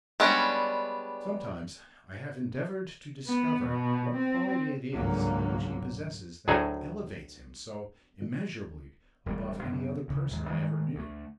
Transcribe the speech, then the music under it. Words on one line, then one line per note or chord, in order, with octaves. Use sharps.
Sometimes I have endeavoured to discover what quality it is which he possesses that elevates him so immeasurably above any other person I ever knew.
G3 G#3 B3 C#4 D4
B3
B2
C4
G#1 C#2 G2 D3 F#3 A#3
D2 A2 F#3 D#4 G#4 A4
E1 D#2 G3 A3
F#2 B2 D3
D2 C#3
D#2 G#2
D#3 G#3 A3
D2 A3